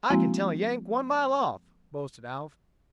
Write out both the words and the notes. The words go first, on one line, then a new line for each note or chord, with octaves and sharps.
"I can tell a Yank one mile off," boasted Alf.
F3 G#3 A#3 C4 E4 F#4